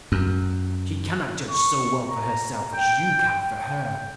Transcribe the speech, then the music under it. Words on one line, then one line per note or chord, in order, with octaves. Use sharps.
She cannot judge so well for herself as you can for her.
F#2
C#6
A#5
G5
G5